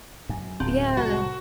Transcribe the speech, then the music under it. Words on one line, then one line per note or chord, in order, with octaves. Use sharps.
Oh, yeah.
F#2
D1 C4
C2 A2 F#4